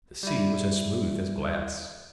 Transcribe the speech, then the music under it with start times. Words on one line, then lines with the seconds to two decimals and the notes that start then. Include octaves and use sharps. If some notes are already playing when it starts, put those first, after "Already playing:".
The sea was as smooth as glass.
0.23 G3 E4